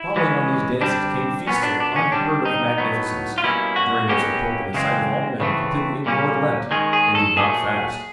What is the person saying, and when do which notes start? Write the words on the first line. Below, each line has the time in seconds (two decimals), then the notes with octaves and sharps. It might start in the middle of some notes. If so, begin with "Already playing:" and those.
Following on these dances came feasts of unheard of magnificence, during which the pope in the sight of all men completely ignored Lent and did not fast.
Already playing: E4
0.16 E3 G#3 C#4
0.81 D3 G3 C4 D4
1.47 A#2 F#3 B3 C#4
1.63 D4
1.80 D4
1.96 C#4
2.12 D3 G3 C4 D4
2.45 D#4
2.78 A2 F#3 B3
3.38 F4
3.44 B2 G3 A#3 C#4 E4
3.76 F#4
4.09 B2 F#3 A#3 C#4 G4
4.74 C#3 E3 G#3 C4
5.40 C#3 E3 A3 C4
6.06 A#2 G3 A#3 C#4
6.71 D#3 G#3 C#4 G#4
6.93 G#4
7.15 A4
7.36 A#2 F#3 A3 G#4